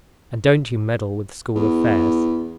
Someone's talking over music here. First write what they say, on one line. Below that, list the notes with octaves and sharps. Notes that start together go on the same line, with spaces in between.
And don't you meddle with school affairs.
E2